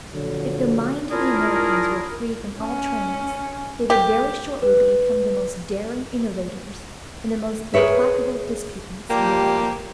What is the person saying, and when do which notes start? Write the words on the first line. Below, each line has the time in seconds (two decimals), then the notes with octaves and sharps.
If the mind of the Americans were free from all trammels, they would very shortly become the most daring innovators and the most implacable disputants in the world.
0.13 A#2 D3 F3 F#3
1.11 D4 E4 F4 G#4 A#4
2.60 C#4
3.90 G4
4.62 B4
7.74 G#4 A#4 B4 C#5 E5
9.10 F3 G3 A#3 G4